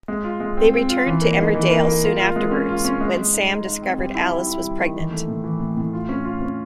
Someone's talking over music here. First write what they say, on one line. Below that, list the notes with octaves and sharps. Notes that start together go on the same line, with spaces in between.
They returned to Emmerdale soon afterwards, when Sam discovered Alice was pregnant.
G#3
F4
G#3
C4
C4
F4
E3
A#3
D#4
E3
A#3
A#3
F4
F4
G#3
C#4
F4
C#4
G#3
G#3
D#4
D#4
D#4
C4
G3
E4
G3
E4
G3
D#3
E3
A3
A2
E3
A2
A2
F4
C#4
F4
C#4